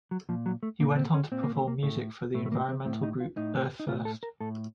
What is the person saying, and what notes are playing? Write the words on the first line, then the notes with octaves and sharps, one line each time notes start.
He went on to perform music for the environmental group Earth First!
F#3
A#2 F3
F#3
A3
A#2 A#3
C4
C#4
A#2 C4
A#3
A3
A#3
A2 A3
A2 A3
A3
A#3
C4
A2 C4
D#4
F4
A2 D#4
D#4
A2 F4
A4
A#4
A2 A4